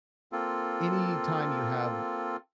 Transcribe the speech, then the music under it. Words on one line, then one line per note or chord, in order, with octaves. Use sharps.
anytime you have v
A#3 C4 F4 A4